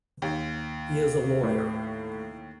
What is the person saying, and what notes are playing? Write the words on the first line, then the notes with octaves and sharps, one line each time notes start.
He is a lawyer.
D#2
A2